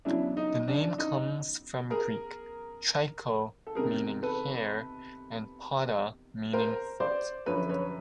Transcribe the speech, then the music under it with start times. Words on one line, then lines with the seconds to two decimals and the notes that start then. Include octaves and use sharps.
The name comes from Greek, "Tricho" meaning hair and "poda" meaning foot.
0.05 E2 C#3 F#3 D4 E4
0.37 D#4
0.68 D4
0.98 D#4
1.91 G#4 A#4
3.67 A4
3.75 E2 C3 D#3 G#4 A#4
4.23 A4 B4
6.53 A#4 C5
7.00 C5 D5
7.46 F#2 D3 F3 B4 C#5
7.69 B4 C#5